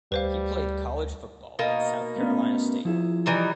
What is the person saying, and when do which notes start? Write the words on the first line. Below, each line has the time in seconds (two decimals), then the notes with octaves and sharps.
He played college football at South Carolina State.
0.12 D2 G3 B4 C5 F5
1.59 B2 A#3 D#4
2.16 A3 B3 C#4
2.85 F3 E4 G#4
3.26 E3 G3 D#4